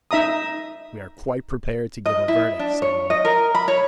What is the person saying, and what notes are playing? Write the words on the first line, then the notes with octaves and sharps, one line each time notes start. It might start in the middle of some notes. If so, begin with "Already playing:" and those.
"And we are quite prepared to give a verdict," said one.
D#4 E5 A#5 D#6
D#5
E4
D4
C#5
D#5
A#4
B5
C#5